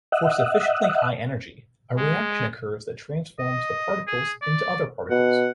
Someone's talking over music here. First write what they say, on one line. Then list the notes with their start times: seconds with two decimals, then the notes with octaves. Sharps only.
For sufficiently high energy, a reaction occurs that transforms the particles into other particles.
0.12 D#5 E5 F#5
1.96 G#3
3.39 D#5
4.07 G#4
4.42 D5
5.10 B2 F#5